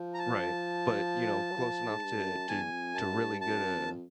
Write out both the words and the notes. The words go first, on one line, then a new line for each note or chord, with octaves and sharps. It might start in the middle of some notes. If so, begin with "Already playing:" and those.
Right. But, you know, close enough to to to really get a
Already playing: F3
A#5
A5
F#3
F3
G#2
G2
F#2
E2 G#5
F2
F#2 A5
G2
F#2 A5
F2